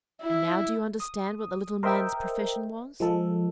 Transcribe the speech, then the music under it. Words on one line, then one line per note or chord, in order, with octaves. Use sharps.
And now do you understand what the Little Man's profession was?
E4
D#6
A#4 C5 D#5 E5 G5
F3 G#3 A4